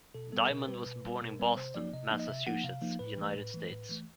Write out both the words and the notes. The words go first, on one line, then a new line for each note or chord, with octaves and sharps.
Diamond was born in Boston, Massachusetts, United States.
B2 A4
G3 B3 A4
B2 A#4
G3 B3 B4
B2
G3 B3
B2 A#4
G3 B3 B4
C3 C5
F3 A#3 D#4 D5
C3 D#5
F3 A#3 D#4
D#5
C3 E5
F3 A#3 D#4 F#5
C3 F5
F3 A#3 D#4
A2 B4
E3 A3
A2
E3 A3
A2
E3 A3